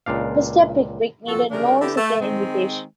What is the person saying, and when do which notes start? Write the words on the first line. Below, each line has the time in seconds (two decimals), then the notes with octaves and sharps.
Mr. Pickwick needed no second invitation.
0.06 C#2 A#2 D4 F5
1.28 F2 F3 F#4 A4
1.51 C#3 G3 D4 A#4
1.81 D3 B3 E4 G4
1.97 A3
2.21 D#3 G#3 C4